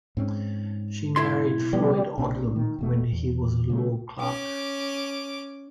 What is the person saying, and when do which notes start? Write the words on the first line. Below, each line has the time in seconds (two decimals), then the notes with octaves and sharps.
She married Floyd Odlum when he was a law clerk.
0.17 G#2 C4 C#4
1.16 B1 E4 C6
1.73 B2 F3 G3 B3
2.18 B1 A#2 C4 D4
2.56 D#3
2.79 E1 B2 A3
3.12 E2
3.70 C#3 G3 A3
4.20 C#4 D6